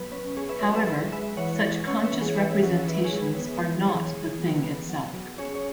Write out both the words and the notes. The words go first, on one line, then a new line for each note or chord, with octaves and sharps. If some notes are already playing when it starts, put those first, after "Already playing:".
However, such conscious representations are not the thing-itself.
Already playing: F#3 B3 B4
C#4 B4
C#4 G#4 C#5
B4 E5
F#3 C#5 F#5
B4 E5
G#3 B4 E5
G#3 B4 E5
E3 C#5 F#5
E3
C#4 C#5 F#5
B4 E5
E3
G#4 C#5
C#4 B4 E5
E3 C#5 F#5
E3 B4 E5
G#4 C#5
G#3
B4
B3 B4
E3
E3 G#4 C#5
E3
B3
B3
F#3
F#3
C#4 G#4 C#5
C#5